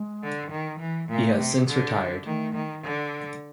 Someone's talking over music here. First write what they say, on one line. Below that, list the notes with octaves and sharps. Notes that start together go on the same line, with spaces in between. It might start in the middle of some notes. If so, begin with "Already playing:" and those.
He has since retired.
Already playing: G#3
D3
D#3
E3
A#2 A3
C3
D3
D#3 A3
D#3
D3